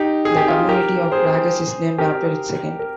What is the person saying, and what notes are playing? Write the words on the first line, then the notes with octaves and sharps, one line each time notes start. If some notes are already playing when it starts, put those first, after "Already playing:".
The community of Ragas is named after its second.
Already playing: D#4 G4
G#4
G4
F4 G#4
G4 A#4
G#4 C5
G4 A#4
A#4